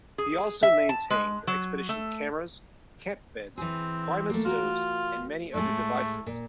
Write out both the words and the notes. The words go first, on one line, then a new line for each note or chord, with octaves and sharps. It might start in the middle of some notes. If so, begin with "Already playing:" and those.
He also maintained the expedition's cameras, camp beds, primus stoves and many other devices.
G#4
E5
A5
G#3
F#3
A3
E3 C4 G#4
A3 A#3
F4 F#4 A#4
A2 G#3 A3
A#2